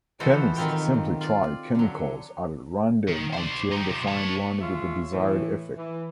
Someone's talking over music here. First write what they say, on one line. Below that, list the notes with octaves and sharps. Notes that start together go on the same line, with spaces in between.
Chemists simply try chemicals at random until they find one with the desired effect.
E3 F3 B3 F#4 A4 C5
D#3 F#3 C4 F4 G4 G5
F4 D5
D3 F#3
D#3
C5 D5
D#4 G4
C3 F3
C#5 A5
G#3 F4 C#5 E5
A2 E3
E3